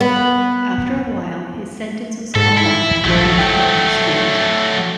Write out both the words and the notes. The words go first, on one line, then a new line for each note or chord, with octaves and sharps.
After a while his sentence was called off and he returned to schools.
B3
G#2 A4
E4
A#1 F3 F#3 A3
G5